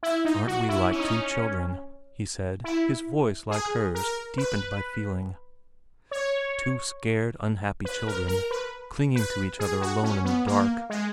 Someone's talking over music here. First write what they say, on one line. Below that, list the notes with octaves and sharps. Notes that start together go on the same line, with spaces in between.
'Aren't we like two children,' he said, his voice, like hers, deepened by feeling, 'two scared, unhappy children, clinging to each other alone in the dark.'
E4
D#4
F#4
E4
C#4
D#4
C#4
E4
G#4
A#4
B4
C#5
B4
A#4
A#4
B4
B4
G#4
F#4
C#4
B3
A#3
G#3